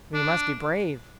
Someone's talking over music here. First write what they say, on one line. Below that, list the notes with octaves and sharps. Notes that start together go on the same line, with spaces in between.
We must be brave.
D4